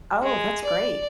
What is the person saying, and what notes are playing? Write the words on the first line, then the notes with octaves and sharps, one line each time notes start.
Oh, that's great.
G#3
D5